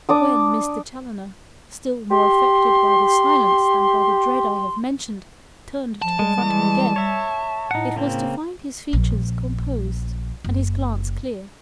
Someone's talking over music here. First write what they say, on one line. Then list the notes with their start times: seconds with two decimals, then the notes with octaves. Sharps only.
When Mr. Challoner, still more affected by the silence than by the dread I have mentioned, turned to confront him again, it was to find his features composed and his glance clear.
0.09 D4 D6 D#6
2.11 G4 C6
6.02 F3 A5
6.19 G3 G#3
6.38 E3 G#3
6.96 C#5 E5
7.71 A2 D#4 F#5
7.96 C#3 A#3 C4
8.93 A#1
10.45 F#1